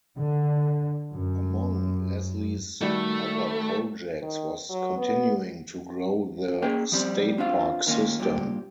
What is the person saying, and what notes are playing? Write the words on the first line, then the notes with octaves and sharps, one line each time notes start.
Among Leslie's other projects was continuing to grow the state park system.
D3
F#2
D#3 G3 A3 F#4
D#3
F#3
B3
A#3 C#4 G#4 G5
F3 G3 C4
C4 D4 F4 F5
D#3 A#3 C#4 F4
G2 A#2 G4